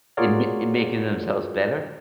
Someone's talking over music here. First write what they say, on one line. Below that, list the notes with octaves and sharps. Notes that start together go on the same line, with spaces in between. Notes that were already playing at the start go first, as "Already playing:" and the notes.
in ma in making themselves better?
F4 F#4 G#4 A#4 C#5 D5